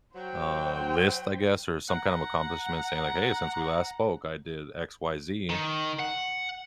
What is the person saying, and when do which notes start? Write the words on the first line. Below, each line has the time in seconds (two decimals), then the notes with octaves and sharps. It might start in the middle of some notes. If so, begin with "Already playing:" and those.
uh, list, I guess, or some kind of accomplishment saying like, "Hey. Since we last spoke, I did X Y Z."
0.15 F#3 C5 G5
1.89 F#5 A#5
5.50 D#3
5.99 F#5